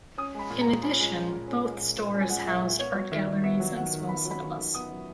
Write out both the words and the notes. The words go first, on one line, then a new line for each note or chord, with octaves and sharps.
In addition, both stores housed art galleries and small cinemas.
C#4 D#6
G#3 B5
A#2
A#5
A#2
C#4 B5
G#3
A#2
A#2
C#4
G#3
A#2
A#2
C#4
G#5
G#3 F#5
A#2 E5
A#2
B3 C#5
F#3
D#3 E5
D#3
B3 E5
F#3
D#3 F#5
D#3
B3 B5
F#3
B5
D#3
D#3
B3 D#6
F#3